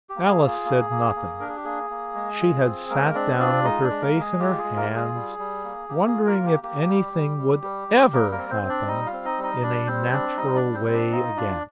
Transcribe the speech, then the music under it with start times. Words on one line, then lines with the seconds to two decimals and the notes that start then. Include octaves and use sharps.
Alice said nothing; she had sat down with her face in her hands, wondering if anything would EVER happen in a natural way again.
0.09 G4
0.16 A#3
0.28 G#4
0.41 F4
0.47 G#4
0.65 A#3
0.90 A#3
1.16 A#3
1.40 D4 A#4
1.48 G#4
1.57 G4
1.65 A#3 G#4
1.90 A#3
2.15 G#3
2.40 F4
2.64 C4
2.89 G#3 A#3 A#4
3.14 C4 D4 D5
3.40 D4 F4 D5
3.64 G#3 D#4 D#5
3.83 D4 D5
3.90 G#3
4.01 A#3 A#4
4.14 G#3
4.20 G#4
4.39 F4 G4
4.58 G#4
4.64 G#3
4.76 A#3 A#4
4.89 F4
4.96 G#4
5.14 G3
5.39 G3
5.64 A#3
5.88 A#3 G4
6.07 G#4
6.13 F4
6.26 A#3 A#4
6.39 A#3
6.45 G4
6.63 A#3 G4
6.88 G3
7.13 G3
7.38 G3
7.63 G3
7.88 G3
8.13 G3 A#3 A#4
8.31 A#3 A#4
8.37 C4
8.50 C4 C5
8.62 C4
8.69 D4 D5
8.87 G3 D#4 D#5
9.06 F4 F5
9.13 C4
9.25 D#4 D#5
9.38 G3
9.43 D#4 D#5
9.62 G3 D4 D5
9.87 G3 C4 C5
10.12 C4 D4 D5
10.37 G3 D#4 D#5
10.56 D4 D5
10.62 G3
10.75 C4 C5
10.87 C4
10.93 D4 D5
11.12 D#4 F4 D#5
11.36 D4 F4 D5